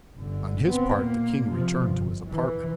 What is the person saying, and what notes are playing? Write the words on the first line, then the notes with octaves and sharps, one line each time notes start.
On his part the king returned to his apartment.
G1 D3
B3 C4
A#2 A#3
C3 F3
G1
E3